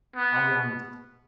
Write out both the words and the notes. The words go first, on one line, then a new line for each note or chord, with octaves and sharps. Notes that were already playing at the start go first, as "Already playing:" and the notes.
I'll be honest.
B3